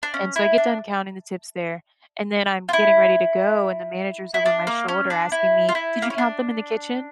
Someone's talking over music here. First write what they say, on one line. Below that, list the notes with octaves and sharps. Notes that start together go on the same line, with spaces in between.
And so I get done counting the tips there, and then I'm getting ready to go, and the manager's over my shoulder asking me, "Did you count them in the kitchen?"
D4
C#4
E4
D4
F4
E4
E4
D4
A#3
C#4
D4
E4
F4
E4
A#3
C#4
D4